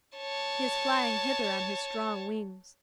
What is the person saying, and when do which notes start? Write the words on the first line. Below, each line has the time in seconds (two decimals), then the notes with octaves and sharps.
"He is flying hither on his strong wings."
0.17 C#5 A5